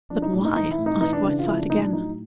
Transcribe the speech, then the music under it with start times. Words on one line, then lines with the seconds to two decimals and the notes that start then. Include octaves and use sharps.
"But why?" asked Whiteside again.
0.10 F3 D4
0.22 D#4
0.33 A2 D4
0.45 D#4
0.55 E3 D#4
0.71 E4
0.78 A2
0.86 D#4
1.01 E3 D#4
1.13 D4
1.24 C#3 D4
1.39 F4
1.47 F3 E4
1.58 D4
1.70 A2 D#4
1.82 D4
1.92 F#3 D#4